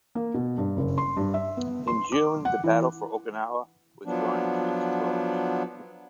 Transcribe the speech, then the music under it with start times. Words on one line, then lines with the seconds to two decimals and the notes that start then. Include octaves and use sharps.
In June, the battle for Okinawa was drawing to its close.
0.15 A#3
0.34 B2
0.58 G2
0.77 F#1
0.98 C6
1.17 G2
1.34 E5
1.57 B3
1.87 C6
2.12 D6
2.45 F#5
2.64 E3
4.06 F3 F#3 B3 D4